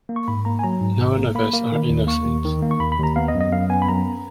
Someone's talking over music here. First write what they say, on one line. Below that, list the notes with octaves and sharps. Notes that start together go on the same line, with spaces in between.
None of us are innocent.
A#3
C#6
G#2 B5
A#3 A#5
G#5
F#3 A#5
G#2
G#1
A#3
A#3 B5
A#3
D#3
D#2
A#3 C#6
D#2
D#3
A#3
C#6
D#2 B5
B5
D#2 A#5
B3 F5
D#5
F#2
D#5
F#2 F5
B3 G#5
B5
F#2 A#5